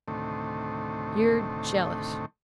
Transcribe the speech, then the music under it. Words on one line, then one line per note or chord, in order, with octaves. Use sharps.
"You're jealous!"
D2 A2 C3 D#3 A3